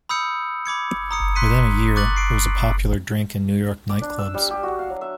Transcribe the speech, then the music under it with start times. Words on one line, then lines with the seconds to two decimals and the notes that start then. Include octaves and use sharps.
Within a year, it was a popular drink in New York night clubs.
0.09 B5 D#6 E6 G6 C#7
0.66 B5 D6 G#6 C#7
1.11 A#5 D#6 C#7
1.35 C6 F#6 B6 C#7 D#7
1.96 C#6 D6 F#6 A6 F#7
2.16 C7 D7
3.89 D6
4.02 D4
4.18 E6
4.34 G3
4.50 G4
4.63 F#4
4.79 F5
4.90 F#3
5.01 E5